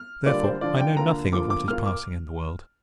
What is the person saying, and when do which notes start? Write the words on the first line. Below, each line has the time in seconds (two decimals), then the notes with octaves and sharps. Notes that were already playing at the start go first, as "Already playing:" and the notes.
Therefore, I know nothing of what is passing in the world.
Already playing: F6
0.26 D3 G3 A#3 F4 D5
0.44 C5
0.61 D3 F3 D4 F4 D5
0.80 G5
0.97 D3 A#3 F4 A#5
1.32 D3 F3 A#3 F4 D6
1.50 D6
1.68 A#2 A#3 F4 F6
1.86 D6